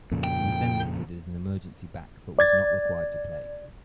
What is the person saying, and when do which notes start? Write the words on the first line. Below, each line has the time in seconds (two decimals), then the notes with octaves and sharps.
He was then listed as an emergency back but was not required to play.
0.11 F2 A#2 C#3
0.24 G5
2.39 D5 G#6 A6